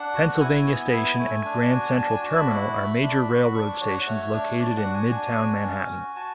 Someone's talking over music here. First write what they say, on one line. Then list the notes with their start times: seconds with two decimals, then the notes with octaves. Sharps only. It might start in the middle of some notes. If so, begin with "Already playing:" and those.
Pennsylvania Station and Grand Central Terminal are major railroad stations located in Midtown Manhattan.
Already playing: D4 F#5
0.14 F#4
0.40 E4 G#5
0.67 B3
0.92 E4
1.19 A3
1.45 D4
1.71 F#4
1.97 D4 A5
2.11 G#5
2.24 F#4 A5
2.37 B5
2.50 E4
2.75 A3
3.03 D4
3.28 F#4
3.54 D4 C#6
3.80 F#4 C#5
3.94 F#5
4.06 A3 C#5
4.33 D4
4.59 D4 D5
4.77 F#5
4.85 F#4
4.94 G#5
5.11 D4 G#5
5.37 F#4
5.64 C#4
5.90 F#4
6.16 F#4 A5